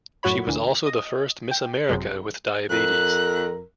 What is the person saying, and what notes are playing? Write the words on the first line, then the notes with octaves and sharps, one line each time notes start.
She was also the first Miss America with diabetes.
F#2 A2 F#4 C#5 B5
D2 D3 E3
D#5 D#6
G5
G#1 F#2 C3 G#3
F2 A#4 F#6